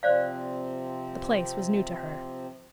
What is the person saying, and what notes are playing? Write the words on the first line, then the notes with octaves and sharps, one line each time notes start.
The place was new to her.
C3 F3 C4 C5 D5 F5